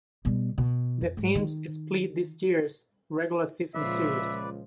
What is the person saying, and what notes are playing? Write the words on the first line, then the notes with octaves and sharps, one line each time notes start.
The teams split this year's regular season series.
B2 G3
B2
F2
G#2
D#3
C#2 A#2 F3 G#3 B4 D5 E5